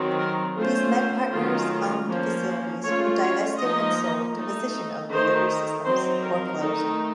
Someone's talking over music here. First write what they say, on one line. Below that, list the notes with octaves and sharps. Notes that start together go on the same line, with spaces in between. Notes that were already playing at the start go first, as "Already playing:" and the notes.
These MedPartners-owned facilities were divested and sold to physician-owned delivery systems or closed.
Already playing: D#3 F#3 C4
A#4
A3 C#4 F4 C5
D#3 F#3 A3 C#4 F4
F3 A#3 C#4
A3 C#4 F4 C#5
C#5
F3 A#3 D#4 D#5
A3 D#4
D#3 A3 D#4 C5
F#3 C4 D#4 C5
A#4
D#3 A3 D#4